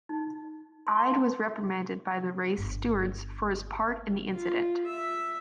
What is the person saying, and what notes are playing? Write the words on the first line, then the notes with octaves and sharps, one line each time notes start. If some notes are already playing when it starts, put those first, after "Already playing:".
Ide was reprimanded by the race stewards for his part in the incident.
D#4
C6
G1
F4
E5